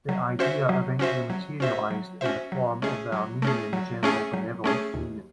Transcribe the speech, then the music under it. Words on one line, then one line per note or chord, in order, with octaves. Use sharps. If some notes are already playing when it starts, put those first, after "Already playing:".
The idea eventually materialized in the form of the Armenian General Benevolent Union.
F#3
C#4 F#4 C5 E5
F#3
C#4 F#4 C5 E5
F#3
C#4 F#4 C5 E5
F#3
C#4 F#4 C5 E5
F#3
A3 C#4 G#4
F#3
A3 C#4 G#4
F#3
A3 C#4 G#4
F#3
A3 C#4 G#4
D#2